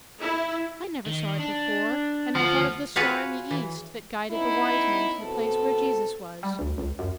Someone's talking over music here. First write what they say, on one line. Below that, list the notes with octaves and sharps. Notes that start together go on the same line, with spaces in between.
I never saw it before, and I thought of the Star in the East, that guided the wise men to the place where Jesus was.
E4
D#3
D4
D2 F3 F#5
F4 F#4 G#4 B4 C#5 F5
E3
B3 C#4 D#4 E4
B2 C4 A4
G3
D2
C#2
F#2